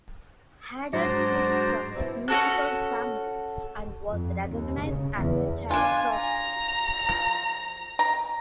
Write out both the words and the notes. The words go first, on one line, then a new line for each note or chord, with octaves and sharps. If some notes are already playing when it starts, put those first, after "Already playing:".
Hadad comes from a musical family and was recognized as a child prodigy.
G#2 F#3 D4 F#4 C5 A#5
B2 C4 E4
C#4 F#4 A4 F#6
F2
D#2
C#3
E2
D4 F4 G#5
A#5
F3
A#5